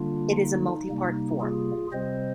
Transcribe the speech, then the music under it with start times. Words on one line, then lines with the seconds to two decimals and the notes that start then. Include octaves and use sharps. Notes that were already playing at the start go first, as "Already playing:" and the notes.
It is a multipart form.
Already playing: D3 G3 A#3 D4 F4
0.37 D#4
0.89 C3 G3 A#3
1.40 F4 G#4
1.92 C3 G3 C4 C5 D#5